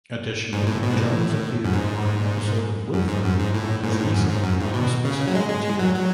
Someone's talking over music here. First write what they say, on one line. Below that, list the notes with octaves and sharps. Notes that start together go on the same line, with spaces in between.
Additionally, Jones appeared on an episode of "Wilfred" as Lisa, a hospice volunteer.
G#2
A2
B2
G#2
A2
F#2
G#2
F#2
G#2
F#2
G#2
A2
G#2
A2
G#2
F#2
G#2
F#2
G#2
B2
C#3
F#3
G#3
G#3
G#3
F#3
F#3